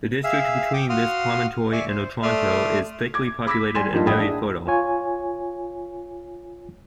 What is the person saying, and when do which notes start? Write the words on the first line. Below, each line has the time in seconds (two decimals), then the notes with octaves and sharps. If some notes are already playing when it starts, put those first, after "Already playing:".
The district between this promontory and Otranto is thickly populated and very fertile.
0.24 G#4 E5 F5 E6
0.73 G5 D6 D#6
0.90 F#4 F5 C6 D#6 F6
1.72 D5 E5 G#5 C#6
1.88 C5
2.23 A3 D5 E5 C6 D#6 F6
3.14 D6 G#6
3.47 B5 D6 E6 G#6 A#6 B6
3.75 G3 G#5 C6 E7
3.93 F3 G3 A#3 D4 D#4 F4
4.06 A1 A2 D#5 G5 B5 D#6
4.19 D4 E4 G#4
4.68 F4 C#5 G#5